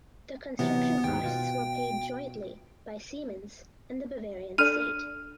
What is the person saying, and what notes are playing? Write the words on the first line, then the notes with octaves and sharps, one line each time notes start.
The construction costs were paid jointly by Siemens and the Bavarian state.
C3 E3 F#3 B3
D#2 G#2 G5
B2 F4
D4 A4 D5 F6 D#7